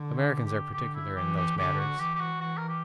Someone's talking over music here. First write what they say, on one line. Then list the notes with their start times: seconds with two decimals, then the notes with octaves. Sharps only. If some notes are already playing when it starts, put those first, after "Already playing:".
Americans are particular in those matters.
Already playing: D3
0.17 G4
0.45 G4
0.73 D3 G4
0.95 E4
1.16 E3 G4
1.36 G4
1.57 D3 G4
1.78 F#4
1.99 E3 G4
2.15 G4
2.20 F#4
2.41 F#4
2.58 A#4
2.69 G4